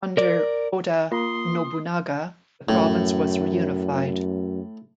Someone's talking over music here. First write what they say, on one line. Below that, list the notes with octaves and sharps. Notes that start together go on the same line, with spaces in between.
Under Oda Nobunaga, the province was reunified.
A#4 D5
A#3 F4 C6 D#6
F#2 A2